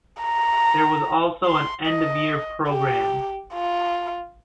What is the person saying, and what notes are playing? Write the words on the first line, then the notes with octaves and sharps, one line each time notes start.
There was also an end-of-year programme.
A#5
C6
D#5
G4
F4